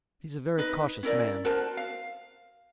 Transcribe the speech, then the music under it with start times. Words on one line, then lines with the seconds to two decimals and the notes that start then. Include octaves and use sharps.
He's a very cautious man.
0.58 D#4 B4 D#5
1.03 C#4 E4 A#4 D5
1.45 F#4 A#4 C5 A5
1.77 F5